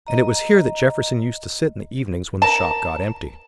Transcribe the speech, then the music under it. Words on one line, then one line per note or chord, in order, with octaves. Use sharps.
And it was here that Jefferson used to sit in the evenings when the shop got empty.
D#5 A#5
A#4 A5